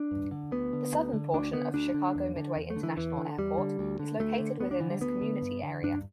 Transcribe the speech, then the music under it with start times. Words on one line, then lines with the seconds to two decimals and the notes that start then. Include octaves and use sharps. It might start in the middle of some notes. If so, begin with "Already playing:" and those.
The southern portion of Chicago Midway International Airport is located within this community area.
Already playing: D4
0.11 G2
0.31 D3
0.51 D2 B3
0.73 D3
0.93 D2
1.13 D3
1.34 D2 D4
1.53 D3 B3
1.74 D2 D4
1.94 D3
2.16 E2
2.36 D3
2.56 E2
2.70 A3
2.76 D3
2.83 E3
2.97 E2 E3
3.17 D3
3.38 E2 G3
3.58 D3
3.79 D2
3.99 D3
4.19 D2 A3
4.40 D3
4.60 D2 B3
4.71 D4
4.80 D3 E3
4.90 G3
5.01 D2 B3
5.22 D3
5.42 G2
5.63 D3
5.83 G2 D4